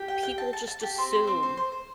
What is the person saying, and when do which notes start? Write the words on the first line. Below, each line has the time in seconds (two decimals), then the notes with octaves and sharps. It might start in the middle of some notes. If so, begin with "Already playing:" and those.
people just assume
Already playing: G4
0.08 G5
0.23 G5
0.38 A5
0.53 A5
0.68 A5
0.83 G4
0.98 C4
1.13 C5
1.27 C4
1.43 C5
1.57 C5
1.72 C5